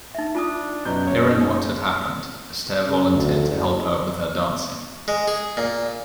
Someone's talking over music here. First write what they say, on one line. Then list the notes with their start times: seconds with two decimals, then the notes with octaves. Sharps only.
Hearing what had happened, Astaire volunteered to help her with her dancing.
0.15 D#4 E5
0.35 D4 F4 A5 D#6
0.85 F#2 B2 G6
1.07 F#1 C#5
1.29 D#4
2.86 C#3
3.15 D2
3.50 F#1
5.08 G#3
5.28 G#4
5.57 A#2